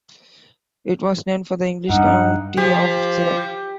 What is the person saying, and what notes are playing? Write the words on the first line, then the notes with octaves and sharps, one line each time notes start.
It was named for the English county of Surrey.
G2 D#4 F#5
F4 G4 C5